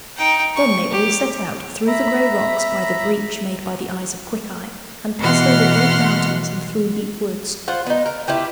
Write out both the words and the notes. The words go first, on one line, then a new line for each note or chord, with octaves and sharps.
Then they all set out through the grey rocks, by the breach made by the eyes of Quickeye, and passed over great mountains and through deep woods.
D#4 G5
C#6
G4
E5 A#5 B5
B2 E3 F#5 C6 F6
F4 C5 F#5
B3 D#4
A#4
E4 F4 G4 B4